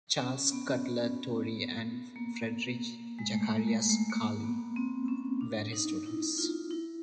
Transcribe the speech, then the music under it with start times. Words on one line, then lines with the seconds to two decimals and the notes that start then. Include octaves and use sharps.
Charles Cutler Torrey and Friedrich Zacharias Schwally were his students.
0.19 C#4
0.52 B3
0.85 B3
2.16 A#3
3.19 G#3
3.32 A3
3.45 A#3
3.68 G#3
3.89 A3
4.10 A#3
4.44 B3
4.76 C4
5.08 C#4
5.41 D4
5.73 D#4
6.06 E4
6.38 F4
6.71 E4